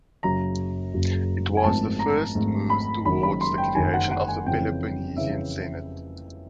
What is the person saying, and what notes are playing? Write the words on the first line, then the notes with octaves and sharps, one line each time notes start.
It was the first move towards the creation of the Peloponnesian Senate.
F#1 F#2 C#3 F#3 A#5
F#1 F#2 C#3 F#3
G#5
G#1 G#2 F3 A3 A5
A#5
G#1 G#2 F3 A3
B5
F#1 F#2 D#3 B5
B5
C6
G5
F#1 F#2 D#3 G#5
F#5
F#5
G#5
F2 C#3 E3 G5
C#3 E3 E5